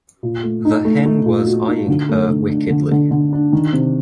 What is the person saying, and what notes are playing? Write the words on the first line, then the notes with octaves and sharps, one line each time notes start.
The hen was eyeing her wickedly.
A#2
A3
D#4
A3
A3
A#2
F#4
D#4
D3
A3
D3
D4
D3
D3
D3
D4
D#3
C3